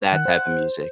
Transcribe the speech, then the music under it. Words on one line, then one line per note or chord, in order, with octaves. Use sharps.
that type of music.
D#3 F#5
C5